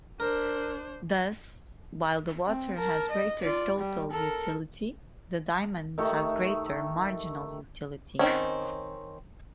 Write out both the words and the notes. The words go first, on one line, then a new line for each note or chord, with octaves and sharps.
Thus, while the water has greater total utility, the diamond has greater marginal utility.
D4 A#4 C5
C4
A#4 A5
D#5
F4 D5
G3
A4 A#4
D#3 A3 G4 E5
D#3 E3 C4 C#4